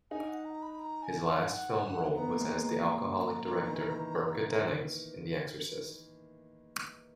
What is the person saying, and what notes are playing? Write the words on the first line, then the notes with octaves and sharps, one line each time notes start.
His last film role was as the alcoholic director Burke Dennings in "The Exorcist".
D#4 G#5
F#5
A#5
B5
A#5
G#5
G#5
F#5
B3 A#5
A#3
G#3
A#3
A#5
E3
D#3
E3